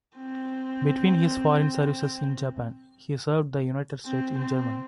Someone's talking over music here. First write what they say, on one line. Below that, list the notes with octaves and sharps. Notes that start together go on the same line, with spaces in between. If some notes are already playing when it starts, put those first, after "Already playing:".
Between his foreign services in Japan, he served the United States in Germany.
C4
C4
C4